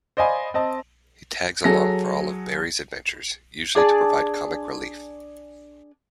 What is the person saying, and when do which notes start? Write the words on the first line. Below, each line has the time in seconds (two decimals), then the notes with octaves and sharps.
He tags along for all of Barry's adventures, usually to provide comic relief.
0.17 C5 D5 D#5 F5 G#5 B5
0.54 C4 D#5 A5
1.64 F#3 G#4 A4 A#6
3.75 D4 G#4 D5 A5